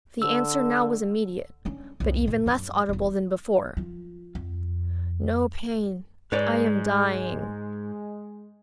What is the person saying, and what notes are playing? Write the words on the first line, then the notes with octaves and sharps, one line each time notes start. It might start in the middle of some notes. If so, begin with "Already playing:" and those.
The answer now was immediate, but even less audible than before: "No pain--I am dying."
D3 E6
C#4 D4
C2 F2
A#2
F#2 D4
E1 E2
F3 F4
F2
G#2 G#3 B4 C#5 D5